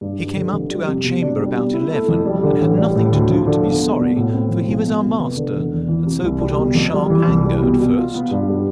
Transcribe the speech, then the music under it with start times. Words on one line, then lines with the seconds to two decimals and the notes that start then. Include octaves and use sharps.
He came up to our chamber about eleven, and had nothing to do to be sorry; for he was our master, and so put on sharp anger at first.
0.01 G2
0.18 G3
0.36 D3
0.53 F2
0.70 G3
0.87 C3
1.04 B2
1.22 D4
1.39 G3
1.56 B2
1.74 E4
1.91 A3
2.08 F2
2.26 G3
2.43 D3
2.61 A1
2.78 G3
2.96 A2
3.12 D2
3.30 F3
3.47 D3
3.64 B1
3.81 B3
3.99 B2
4.16 A2
4.33 C4
4.50 F3
4.68 B1
4.85 B3
5.02 B2
5.19 F1
5.37 D3
5.54 E2
5.71 E2
5.88 E3
6.06 C3
6.23 C2
6.40 G3
6.59 B2
6.75 F2
6.93 G3
7.10 E3
7.28 C2
7.44 G3
7.62 B2
7.79 B2
7.97 F4
8.14 B3
8.31 G2
8.49 G3